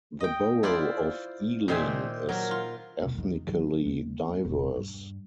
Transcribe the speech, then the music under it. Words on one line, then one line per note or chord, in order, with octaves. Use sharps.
The borough of Ealing is ethnically diverse.
D#5 G5
E4 F4 C5 D5
A#2 D#3 C5 E5 G#5
F#3 A#4
F4
E1 C#2
E2 D#3
D#3 F#3
D#2
E1
G2